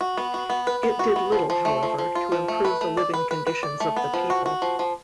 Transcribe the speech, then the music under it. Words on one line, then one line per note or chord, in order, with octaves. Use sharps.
It did little, however, to improve the living conditions of the people.
F#4
B3
F#4
B3
B4
B3
F#4
B3
F3
F3
A3
F3
F3
F4
F3
A3
B4
A3
D5
B4
B4
B4
D5
A3
B3
F3
F#4
F#4
F3
F3